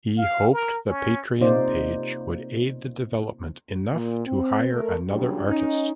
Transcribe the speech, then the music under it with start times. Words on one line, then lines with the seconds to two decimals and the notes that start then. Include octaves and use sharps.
He hoped the Patreon page would aid the development enough to hire another artist.
0.18 F5
0.53 A#4
0.88 C#4
1.40 C3 A#3 D#4 F4 C5 D5
3.93 A#2
4.26 C4
4.73 A3 A#4
5.08 F#2 A#2 C#3 F#3 G3 D4
5.46 C#4 D#4